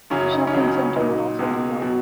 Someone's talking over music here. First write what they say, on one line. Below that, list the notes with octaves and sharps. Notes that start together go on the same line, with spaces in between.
A shopping center would also be built.
F#2 C#3 F#3 C#4
D#4
C#4
C#2 C#3 F#3 D#4
C#4
C#4
A#2 F#3 D#4
C#2 B2 G#3
B2 F#3